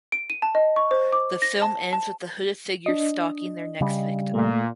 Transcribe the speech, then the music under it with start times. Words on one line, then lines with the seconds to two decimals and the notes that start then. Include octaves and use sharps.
The film ends with the hooded figures stalking their next victim.
0.12 D7
0.30 D#7
0.42 A5
0.55 D#5
0.76 C#6
0.91 C5
1.13 D6
1.42 A#6
1.62 A5
1.93 A5
2.86 D4 D#5
3.81 C#3 G3
4.34 A#2 A3